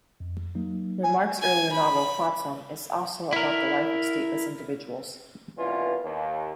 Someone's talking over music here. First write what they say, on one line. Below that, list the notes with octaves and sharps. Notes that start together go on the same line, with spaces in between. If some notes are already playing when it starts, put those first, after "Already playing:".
Remarque's earlier novel "Flotsam" is also about the life of stateless individuals.
F2
F#3 A#3 D#4
G#5
G#5
B5
E4 A#4
C2 B2 E3 C#4 F4
D#2